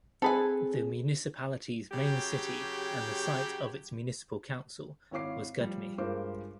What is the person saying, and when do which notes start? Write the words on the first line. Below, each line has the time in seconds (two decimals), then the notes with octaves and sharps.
The municipality's main city and the site of its municipal council was Gudme.
0.22 C4 G#4 A4 B4 G#5
1.92 C#3 F#3 G4
5.11 G#1 E4 C#5 F5 D6 C7
5.58 F3 G3
5.98 G2 G#3 F4 A#4 C5 D6